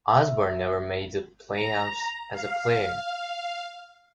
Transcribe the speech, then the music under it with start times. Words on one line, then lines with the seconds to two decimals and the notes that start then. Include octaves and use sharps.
Osborne never made the playoffs as a player.
0.10 E5
1.53 A#5
2.33 F5